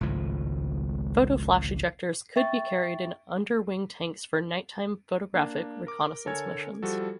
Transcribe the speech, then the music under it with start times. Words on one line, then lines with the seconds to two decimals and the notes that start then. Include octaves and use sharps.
Photoflash ejectors could be carried in underwing tanks for nighttime photographic reconnaissance missions.
0.01 G#1 C#2 A2 F3
2.36 E5 G5 C#6 A6
5.34 A#3 D4
5.87 A#4 D6
6.26 D3 A4 A#4 C#5 G#5 G#6
6.83 F3 G3 F#4 A4